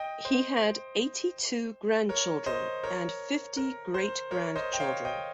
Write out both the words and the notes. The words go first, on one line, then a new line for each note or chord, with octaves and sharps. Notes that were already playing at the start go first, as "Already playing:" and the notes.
He had eighty-two grandchildren and fifty great grandchildren.
Already playing: D#5 G5
C5
A#4 C#5
C5 D#5
A#4 C#5
A#4
C5
A#4 C#5
C5 D#5
G5
C#5 F5
D#5 G5